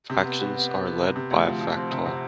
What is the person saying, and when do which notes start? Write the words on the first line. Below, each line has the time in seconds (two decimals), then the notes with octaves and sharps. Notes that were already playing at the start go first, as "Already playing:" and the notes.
Factions are led by a Factol.
0.10 C3
0.24 B3
0.39 B3
0.55 B3
0.69 B3
0.85 B3
1.00 C3
1.16 C3
1.31 D2
1.45 F3
1.61 F3
1.76 C4
1.92 C3
2.06 C3